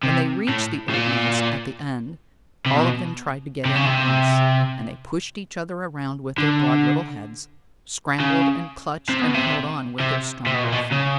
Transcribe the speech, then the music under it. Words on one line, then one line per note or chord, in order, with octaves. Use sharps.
When they reached the old nest at the end, all of them tried to get in at once, and they pushed each other around with their broad little heads, scrambled and clutched and held on with their strong little feet.
C3
A2
A2
A#2
C3
B2
C3
C#3
C3
D3
C#3
C3
B2
C3
C3
C3
B2
A#2
B2
C#3